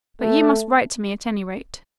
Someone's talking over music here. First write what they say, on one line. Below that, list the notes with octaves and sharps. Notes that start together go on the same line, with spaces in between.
"But you must write to me at any rate."
A3